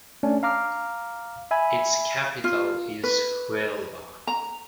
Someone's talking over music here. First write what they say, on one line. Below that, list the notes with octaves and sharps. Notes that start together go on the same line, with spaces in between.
Its capital is Huelva.
A3 C#4 D4
F5 A#5 D6 F6
E5 G#5 B5
F4
B4
A#5